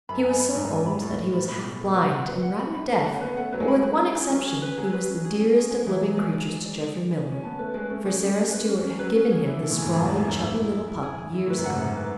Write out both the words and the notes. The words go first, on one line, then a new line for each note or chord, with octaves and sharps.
He was so old that he was half-blind and rather deaf, but, with one exception, he was the dearest of living creatures to Jeffrey Miller, for Sara Stuart had given him the sprawly, chubby little pup years ago.
F#2 B5
G#5
B5
G#2 G#4
G#5
B5
A2 D5
D5
B5
B2 B5
G#4
G#4
B4
F#5
B4
F#5
B5
B5
B3 B5
A3 F#5
C#4
B3 B4
A3 F#5
F#3 B4
G#3
B5
B4
C#4
G#4
F#3 C#4
G#4
B4
F#3 G#4
B4
C#4
G#4
C#4
G#4
G#3 G#4
E3 G#4
F#3 D5
G#3 D5
D5
D5
D5
G#4
D5
G#4
C#4 D5
B3 A5
A3 B4
G#3 B4
A3 C#4
G#3 G#4
C#4
G#4
B4
C#4
C#4
F#3 B4
C#4
G#4
E3 E4
B2 E4
A2
G#2 G#4
F#2 G#4
E2 D5
F#2
G#2 E4
E4
E4
E4
E4
G#4
G#4
E4
A2 B4
F#2
G#2 F#5
G#2 F#5
B4